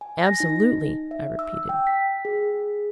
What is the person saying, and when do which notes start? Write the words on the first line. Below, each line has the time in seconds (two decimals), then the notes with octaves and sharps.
"Absolutely!" I repeated.
0.01 G#5
0.27 A#6
0.40 D#4
1.11 E5
1.39 E6
1.69 G5
1.87 B6
2.25 G#4